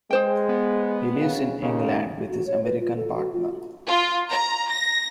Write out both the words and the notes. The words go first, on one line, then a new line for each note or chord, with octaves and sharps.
He lives in England with his American partner.
G#3 G#4 C5 G5
B3
C#3
D#2 C#3
F#4
C#5
B4
F4
A4
F#4
F4
F4
A#5
A#6